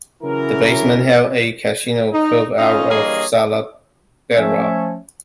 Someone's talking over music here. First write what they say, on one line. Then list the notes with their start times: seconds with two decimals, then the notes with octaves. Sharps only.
The basement held a casino, carved out of solid bedrock.
0.23 C#3 E3 F#3 E4 A#4
2.12 D#4
2.59 C#4 D#4 F4
2.90 G2 E3 A#3 G#4 C#5 D#5
4.34 F3 A3 C#4 C#5 E5